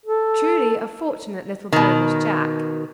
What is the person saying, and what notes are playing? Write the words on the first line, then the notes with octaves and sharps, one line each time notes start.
Truly a fortunate little boy was Jack!
A4
B2 D#3